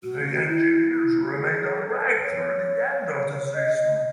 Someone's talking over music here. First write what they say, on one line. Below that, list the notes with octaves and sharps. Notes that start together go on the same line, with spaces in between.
The Engineers remained unranked through the end of the season.
F#4
E4
E4
F#4
G#4
A4
B4
A4
B4
C#5
D#5